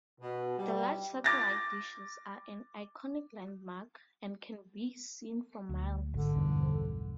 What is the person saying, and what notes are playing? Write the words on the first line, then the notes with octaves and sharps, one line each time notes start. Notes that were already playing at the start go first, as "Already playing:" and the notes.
The large satellite dishes are an iconic landmark, and can be seen for miles.
B2
G3
D6 A6 A#6
D2
G#1 D3
B1 E2 G2